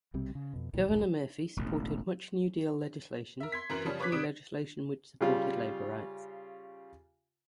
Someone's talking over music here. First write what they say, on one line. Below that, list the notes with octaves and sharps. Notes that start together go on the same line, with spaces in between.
Governor Murphy supported much New Deal legislation, particularly legislation which supported labor rights.
B1 C3 G3 C4
C#3
F2 B2
B1 A#2 D#3 E3
D#1 B1 G#2
E1 A1
A#4 E5
C6 G#6 B6
F#2 E3 A#4 C6 F#7
C#3 F3 G3 C#4
B4 C#5 D6 F#6 G#6 B6
C3 G3 D#6 D7 E7
C#3 G3 F4